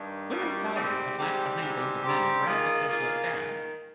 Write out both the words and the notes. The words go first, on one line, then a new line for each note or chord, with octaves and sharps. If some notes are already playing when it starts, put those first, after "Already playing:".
Women's salaries have lagged behind those of men throughout the socialist era.
Already playing: G2 D#3 G3
G2 D#3 G3
G#2 G3 C4 G4
G#2 G3 C4 G4
G#2 G3 C4 G4
G#2 G3 C4 G4
D#3 A#3 F4 G#4
D#3 A#3 F4 G#4
D#3